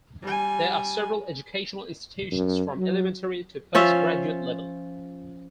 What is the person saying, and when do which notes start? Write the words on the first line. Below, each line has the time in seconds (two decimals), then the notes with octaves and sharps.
There are several educational institutions from elementary to post-graduate level.
0.22 G3 G#5
2.32 F#2
2.77 F#3
3.75 F3 C#4 F4 E5